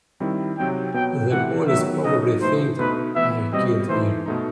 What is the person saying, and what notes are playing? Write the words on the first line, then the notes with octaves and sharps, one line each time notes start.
The police probably think I killed him.
D#3 G3 C4 E4
C3 F#3 C4 D#4 G5
B2 F#3 B3 G5
C3 E3 A3 C4 F#5
D#3 F#3 B3 E5
B2 F#3 B3 D#4 D#5
E3 A3 D#4 C5
B2 A3 D#4 B4
E3 B3 E4 E5
B2 G3 C4 D#5
E3 A3 D#4 C5
B2 A3 D#4